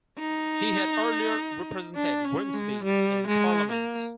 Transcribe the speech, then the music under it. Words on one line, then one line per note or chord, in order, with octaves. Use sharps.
He had earlier represented Grimsby in Parliament.
D#4
D4
C#4
G#3
G3
G#3
A#3